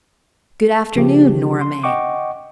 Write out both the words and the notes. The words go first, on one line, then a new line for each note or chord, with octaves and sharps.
Good afternoon, Nora May.
C#3 F3 G4
C6
D#5 F#5 G5 C#6 D6